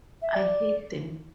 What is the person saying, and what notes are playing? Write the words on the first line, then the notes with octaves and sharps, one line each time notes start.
I hate them.
E5
D5